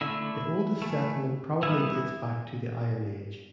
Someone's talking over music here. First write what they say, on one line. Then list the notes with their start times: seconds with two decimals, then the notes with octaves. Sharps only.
The oldest settlement probably dates back to the Iron Age.
0.01 D3 A3 E4
0.82 E3 A3
1.63 E3 G3 B3 E4